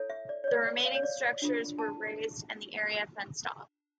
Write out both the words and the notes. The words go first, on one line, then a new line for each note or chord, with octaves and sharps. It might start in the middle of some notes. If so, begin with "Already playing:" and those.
The remaining structures were razed, and the area fenced off.
Already playing: E4 A4 C#5
E5
D5
C#5
D5
D5
F5
C#5
D5
D4 F4 A4
A5